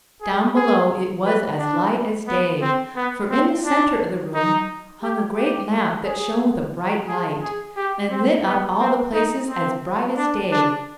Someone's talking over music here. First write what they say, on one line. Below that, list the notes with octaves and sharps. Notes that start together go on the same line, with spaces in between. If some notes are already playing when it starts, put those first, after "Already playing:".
Down below it was as light as day, for in the centre of the room hung a great lamp that shone with a bright light and lit up all the place as bright as day.
G#4
G#4
B4
D4
B3
C4
B3
C4
D4
D#4
G4
G4
G#4
G#4
G#4
G4
C4
B3
C4
D#4
C4
D4
D4